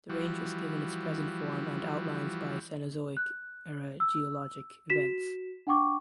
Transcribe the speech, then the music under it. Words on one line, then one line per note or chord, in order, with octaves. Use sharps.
The range was given its present form and outlines by Cenozoic era geologic events.
E3 F3 G3 F#4
F#6
E6
F#4 B6 E7
D4 F#5 G5 C#6 D6